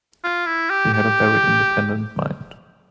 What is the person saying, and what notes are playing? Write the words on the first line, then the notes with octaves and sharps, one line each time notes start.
He had a very independent mind.
F4
E4
G4
G4